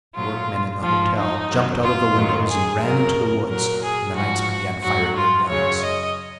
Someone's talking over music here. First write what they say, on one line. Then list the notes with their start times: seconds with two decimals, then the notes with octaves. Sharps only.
The workmen in the hotel jumped out of the windows and ran into the woods when the knights began firing their guns.
0.15 A#2 F#3 F4
0.82 G#2 F3 F4
1.15 D#4
1.49 F#2 D#3 F#3
1.83 F4
2.15 F#2 D#3 F#3
2.49 G#4
2.82 F#2 C#3 F#3 A#4
3.49 A#2 F#3 A#4
3.83 G#4
4.16 G#2 F3 F#4
4.83 G#2 F#3 F#4
5.16 F4
5.49 F#2 C#3 F#3 C#5
5.83 D#5